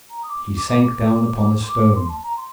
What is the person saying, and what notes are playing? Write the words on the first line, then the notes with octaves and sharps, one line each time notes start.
He sank down upon a stone.
A#5
D#6
D6
D6
D6
D6
D6
C6
D6
C6
A5
A#5
C6